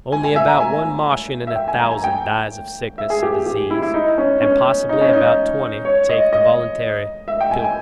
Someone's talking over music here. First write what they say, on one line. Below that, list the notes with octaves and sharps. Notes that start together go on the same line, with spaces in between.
Only about one Martian in a thousand dies of sickness or disease, and possibly about twenty take the voluntary pilgrimage.
G#5
G#5
E5
A#5
G#5
E5
G5
G#5
A#5
G#5
G5
E5
G#4
G4
G4
E4
E4
D#4
C#4
C#4
D#4
C#4
D#4
C#5
D#5
D#5
E5
G5
G#5
G#5